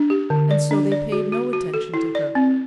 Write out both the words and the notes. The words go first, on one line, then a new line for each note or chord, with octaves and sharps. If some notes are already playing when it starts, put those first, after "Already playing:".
And so they paid no attention to her.
Already playing: D4
G4
D3
D5
D4
D5
F#4
F#4
F#4
A4
E4
D5
C4